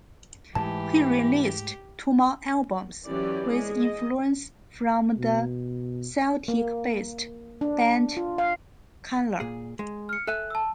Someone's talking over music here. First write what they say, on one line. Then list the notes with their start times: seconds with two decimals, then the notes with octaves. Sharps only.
He released two more albums, with influence from the Celtic-based band Cunla.
0.55 G#2 E3 G#3 A3 G4 A5
3.06 E3 F#3 C#4 G4 D5
3.49 G#3 G#4
3.81 D#5
5.18 B2
6.48 A#3
7.61 D4
8.17 F4
8.38 F5
9.40 A#2 G#4
9.79 G#3
10.09 F6 C#7
10.27 A4 E5 G#5 F#6
10.50 A5 E6